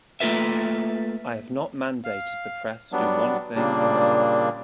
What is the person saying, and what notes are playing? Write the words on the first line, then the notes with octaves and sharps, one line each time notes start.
I have not mandated the press do one thing or another...
A3 A#3 F4 A4 B4 E5
F5
F#3 G3 B3 D4
A#2 C#3 G3 A#3 D4